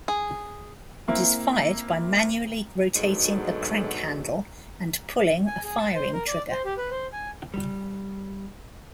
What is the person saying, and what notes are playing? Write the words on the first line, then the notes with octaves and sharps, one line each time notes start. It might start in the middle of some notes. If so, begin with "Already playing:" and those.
It is fired by manually rotating a crank handle and pulling a firing trigger.
G#4
A#3 C4 E4
G#2 B2 D3 F#3 G#3 A3
G#5
G#4
A5
C5
A#4
D5
C5
G4
B4
C5
G#5
G3